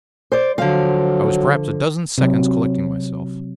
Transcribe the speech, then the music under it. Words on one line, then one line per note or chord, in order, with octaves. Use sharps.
I was perhaps a dozen seconds collecting myself.
C5 D5
D3 F3 F#3 F5
C3 F#3